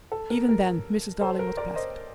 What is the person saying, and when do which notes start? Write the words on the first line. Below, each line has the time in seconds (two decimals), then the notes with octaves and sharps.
Even then Mrs. Darling was placid.
0.12 A4
0.30 A#4
0.49 A#4
1.21 A4 C5
1.39 A#4
1.57 A#4 D5
1.76 C5 D#5